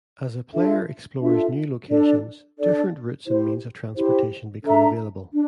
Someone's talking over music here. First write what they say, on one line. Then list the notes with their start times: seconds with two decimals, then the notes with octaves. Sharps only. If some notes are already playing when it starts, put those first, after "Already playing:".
As a player explores new locations, different routes and means of transportation become available.
0.53 D4 F4 A4 E5
1.22 D4 F4 A4 E5
1.90 D4 A4 D5
2.58 D4 A4 D5
3.27 E4 G4 C5
3.96 E4 G4 C5
4.63 D4 A4 E5 A#5
5.33 D4